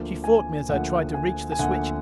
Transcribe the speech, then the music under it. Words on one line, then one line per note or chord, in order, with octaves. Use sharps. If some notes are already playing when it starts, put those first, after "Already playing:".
She fought me as I tried to reach the switch.
Already playing: D2 D3 F3 A#3
G#5
D2 D3 F3 A#3 F#5
G#5
G#5
D2 D3 F3 A#3 F#5